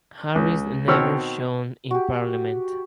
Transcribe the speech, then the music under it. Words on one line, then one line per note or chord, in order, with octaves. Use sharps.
Harris never shone in Parliament.
C#2
B2 D#3 C4 C#5 E6 F6
F#4 G4